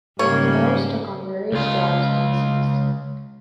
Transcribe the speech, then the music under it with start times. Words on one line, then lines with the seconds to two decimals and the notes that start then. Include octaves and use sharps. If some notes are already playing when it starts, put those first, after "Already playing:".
Mores took on various jobs in his youth.
0.19 G#2 C#3 G3 A#3 C#5
1.52 C#2 F4